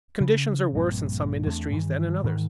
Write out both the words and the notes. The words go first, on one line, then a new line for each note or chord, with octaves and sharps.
Conditions are worse in some industries than in others.
C#3
A#1 G2 A#3 C4
E2 A3 C4 D4
G2 D#3 E3
G#2 D#3 E3